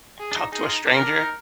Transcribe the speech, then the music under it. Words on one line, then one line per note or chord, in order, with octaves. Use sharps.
talk to a stranger?
G#4
D4
D#4
D#4 G#4
F4
D#4
D4 A#4
D4
D#4